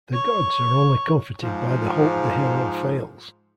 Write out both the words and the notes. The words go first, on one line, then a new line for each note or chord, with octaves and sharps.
The gods are only comforted by the hope the hero fails.
C#5
G#2 F3